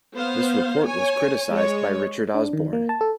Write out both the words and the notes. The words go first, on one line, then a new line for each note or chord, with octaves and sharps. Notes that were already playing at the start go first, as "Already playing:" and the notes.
This report was criticized by Richard Osborne.
B3 C5 F5
C#5 G#5
G#3 C#5
D4
D#3
A#3
A5
A4